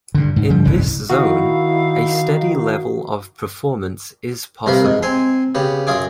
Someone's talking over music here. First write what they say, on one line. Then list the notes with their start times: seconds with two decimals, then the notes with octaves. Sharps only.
In this zone, a steady level of performance is possible.
0.15 G2 D3
0.36 G#2
0.50 G#2 F3 G3
0.65 F#1 C2 G#2 E3
1.10 D#3 E4 F#4 F5
4.66 C2 C3 A#4 B4 F5
4.86 G#2
5.03 C4 G#5 A#5 C6
5.55 C#3 B3 G4
5.87 F#2 F4 G#4 D6